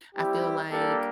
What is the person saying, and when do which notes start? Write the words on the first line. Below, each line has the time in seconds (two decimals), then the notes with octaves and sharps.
I feel, like,
0.14 G3 C4 E4 G4
0.71 G3 A#3 D4 G4 A4